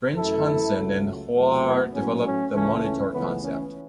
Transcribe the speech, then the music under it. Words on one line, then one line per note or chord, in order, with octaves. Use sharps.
Brinch Hansen and Hoare developed the monitor concept.
F#2 E3 A3 E4 A4
C#2 C#3 F#3 A3
E2 B2 F#3 A3
B3 E4
A2 F#3 A3 C#4
C#4
C#2 C#3 E3 A3 C#4
C#4
C#2 C#3 E3 A3 B3
C#4